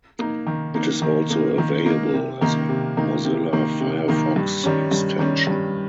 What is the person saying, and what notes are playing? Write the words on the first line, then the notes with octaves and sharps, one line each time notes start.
It is also available as a Mozilla Firefox extension.
A#3 D#4
D#3
A#3 D#4
D#3
A#3 D#4
D#3
A#3 D#4
C3
D#3 A#3 D#4
C3
D#3 A#3 D#4
C3
D#3 A#3 D#4
C3
D#3 A#3 D#4
G2
D#3 G3 C#4
G2
D#3 G3 C#4
G2